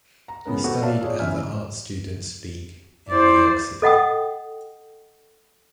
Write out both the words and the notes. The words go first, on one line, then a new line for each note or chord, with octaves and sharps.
He studied at the Art Students League in New York City.
A#5
C#3 G#3 B3 C#4 A#4
B3 C4 F#4 A4 C5
A#4 C#5 D5 E5 F5 A5
F4 G#4 C#5 D5
F#1 F#2 E3 E5 G#5 F6
E4 C5 D5
A4 D#5 F#5 G5 D#6